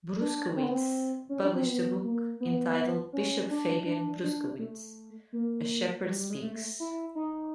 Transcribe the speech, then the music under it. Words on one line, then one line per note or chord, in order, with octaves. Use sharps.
Bruskewitz published a book entitled "Bishop Fabian Bruskewitz: A Shepherd Speaks".
D4
C4
B3
C4
C#4
D4
C4
B3
A#3
B3
C#4
D4
D4
D4
A3
A#3
G3
G3
G#3
A3
A3
E4
D#4